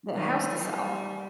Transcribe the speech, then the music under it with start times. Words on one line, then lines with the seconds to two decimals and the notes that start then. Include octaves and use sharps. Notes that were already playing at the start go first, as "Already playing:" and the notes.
the house to sell,
0.15 D#3
0.62 G3